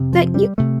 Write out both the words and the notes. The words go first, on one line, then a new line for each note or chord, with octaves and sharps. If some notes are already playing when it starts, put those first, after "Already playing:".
that you
Already playing: F2 C3
F3
G3
C3 A3